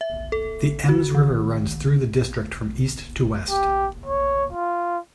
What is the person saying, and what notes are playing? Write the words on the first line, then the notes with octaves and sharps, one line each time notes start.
The Ems river runs through the district from east to west.
E5
A4
F#4
D#3
G4
C#5
F4